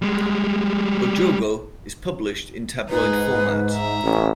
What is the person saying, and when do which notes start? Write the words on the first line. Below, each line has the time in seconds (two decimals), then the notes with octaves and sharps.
"O Jogo" is published in tabloid format.
0.02 G3 G#3
2.90 G#2 D#4 G#4 B4
3.73 E5 A#5
4.04 A1 C#4